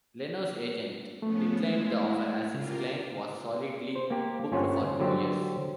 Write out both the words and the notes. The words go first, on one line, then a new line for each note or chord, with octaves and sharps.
Leno's agent declined the offer, as his client was solidly booked for two years.
F3 A3 B3 C#4
G#3 E4
C#3 F4 G4 A#4
C5
A#3 G4
G1 C#4 F4 C5 C#5 F#5
D3 F#3 G4 C5